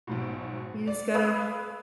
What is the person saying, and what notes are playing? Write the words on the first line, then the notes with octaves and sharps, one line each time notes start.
you just gotta
B1 G#2 B2
D5
B4 F5 B5 D#6 E6 F#6